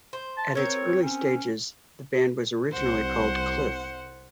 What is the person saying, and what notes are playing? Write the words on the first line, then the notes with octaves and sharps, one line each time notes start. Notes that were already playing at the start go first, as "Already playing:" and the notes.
At its early stages the band was originally called Cliff.
C5
A5
C4 A#4 C#5
C#4
C2 C5 F#5